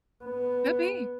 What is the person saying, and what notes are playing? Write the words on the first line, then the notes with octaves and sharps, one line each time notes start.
Could be.
B3